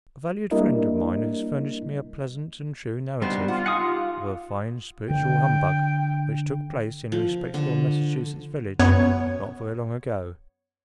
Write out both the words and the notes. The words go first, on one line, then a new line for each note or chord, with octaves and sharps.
A valued friend of mine has furnished me a pleasant and true narrative of a fine "spiritual" humbug which took place in a respectable Massachusetts village not very long ago.
G3 A#3 D4 E4 A#4 D#5
A#2 G3 B3 D4 D#4 C5
F4 F#5
D#4 F#5 G#5 D#6
G4
D3 G5
F3
D3
F#2 B3 C#5 G#6